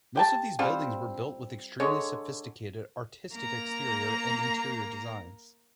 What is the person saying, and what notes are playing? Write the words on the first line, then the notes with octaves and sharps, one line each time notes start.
Most of these buildings were built with extremely sophisticated artistic exterior and interior designs.
G4 G5 A5
G3 C4 F4 C5
D3 G#3 C#5
A#3 A#5